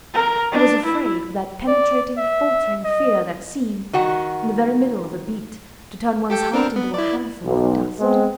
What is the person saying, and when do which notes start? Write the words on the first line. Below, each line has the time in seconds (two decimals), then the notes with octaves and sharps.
He was afraid with that penetrating faltering fear that seems, in the very middle of a beat, to turn one's heart into a handful of dust.
0.14 A#4
0.52 D4
0.85 E4
1.68 D5
2.18 E5
2.84 D#5
3.93 D#3 F#4 F#5
6.30 G4 A4 G5
6.53 C4 D4 A#4
6.76 B3
6.94 E4 D5
7.44 B1
8.00 G#3 B3 C4